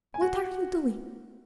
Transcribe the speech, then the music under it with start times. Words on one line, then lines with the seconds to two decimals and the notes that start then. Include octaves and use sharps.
"What are you doing?"
0.14 G#5
0.22 F#4 F#5